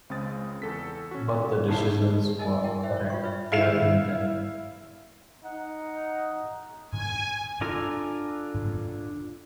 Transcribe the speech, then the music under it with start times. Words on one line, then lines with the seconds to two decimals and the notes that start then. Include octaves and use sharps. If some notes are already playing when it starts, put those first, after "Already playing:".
But the decisions were correct-there and then.
0.10 C#2 C#3 G#3 C4 D#6 A6
0.62 E2 A4 B6
1.11 C#4 F#4
1.68 G1 C#2 D3 E4 A5 C7
2.39 D#4 A#4 D#5 G#5
2.64 E4 A#4 G5
2.83 C5 E5 G5
2.96 C#5
3.10 F4 C#6
3.23 B4 C#5 E5
3.52 E4 F5 C7 E7
5.44 D#4 F#5
6.90 G#5
7.61 D4 F4 A4 G#5 A#5